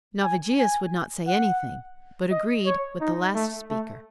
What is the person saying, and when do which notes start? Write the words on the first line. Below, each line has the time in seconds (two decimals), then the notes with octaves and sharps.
Navigius would not say anything, but agreed with the last speaker.
0.24 G#5
0.58 G#5
1.27 F#5
2.31 D#5
2.66 C#5
3.01 D#4
3.35 A3
3.70 A3